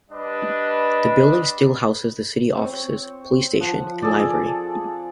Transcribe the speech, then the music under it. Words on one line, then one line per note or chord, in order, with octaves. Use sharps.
The building still houses the city's offices, police station and library.
G3 D4 B4 D#5
C4 C#5
F3 F#5
G#4 A4 D5